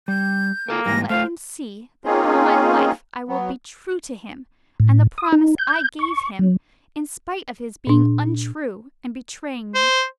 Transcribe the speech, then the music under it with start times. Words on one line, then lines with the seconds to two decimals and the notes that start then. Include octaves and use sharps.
And let him see that all my life I will be true to him and the promise I gave him, in spite of his being untrue and betraying me.
0.08 G3 G6
0.69 A#3 F4 A4 A#4
0.86 G#2 E3 G3 A#6
1.10 A3 F4 C5 F5
2.05 A#3 C4 C#4 D#4 F4 G#4
3.29 F#3 B3
4.80 A2
5.18 D#6
5.32 D#4
5.58 G6
5.99 C#6
6.39 F#3
7.87 A#2 D4
9.75 C5